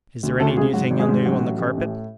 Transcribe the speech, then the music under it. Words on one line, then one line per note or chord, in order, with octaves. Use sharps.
"Is there any thing new on the carpet?"
D2
D2 A3 A4
C#3 G#3 G#4
G#2 F#3 F#4
G#1
G#3 G#4
G#2
A1 F#3 F#4
A2
A1
A2